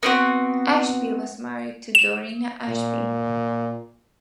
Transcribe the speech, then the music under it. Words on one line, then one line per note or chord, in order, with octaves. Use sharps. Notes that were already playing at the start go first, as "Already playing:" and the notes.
Ashby was married to Dorina Ashby.
B3 C4 F#4
E7
A#2